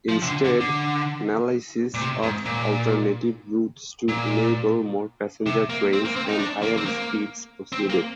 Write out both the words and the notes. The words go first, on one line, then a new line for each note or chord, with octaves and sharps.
Instead, analysis of alternative routes to enable more passenger trains and higher speeds proceeded.
F3
C3
D3
D3
D3
A#2
C3
G#2
A#2
A#2
C3
A#3
C4
A#3
C4
D#4
D4
A#3
C4
A#3
C4
A#3